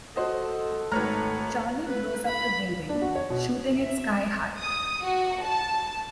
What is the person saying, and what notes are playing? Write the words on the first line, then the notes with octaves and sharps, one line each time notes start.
Charlie blows up the building, shooting it sky-high.
F#4 A4 C5 D#5
G#1 A3 B4 C#5 A#5 F6
B4
B5
D4
F#4
C#5
B2
E5
D#6
F#4
A5